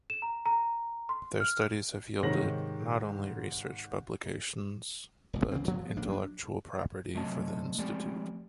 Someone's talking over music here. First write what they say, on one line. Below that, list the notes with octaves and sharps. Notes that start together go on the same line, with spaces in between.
Their studies have yielded not only research publications, but intellectual property for the institute.
E7
A#5
A#5
C6
F6
G#2 C3 D#3 C#5 A#6 F#7
E1 C#2
C#2 C#3 E3 C4
G2 F3 F#3 A3
F3 B3
D#1 A#1 A#3 D4
F#3 C4 D4
C3 F#3 A3 D#5 A5
F3 G#3 A3 C4 G4 D5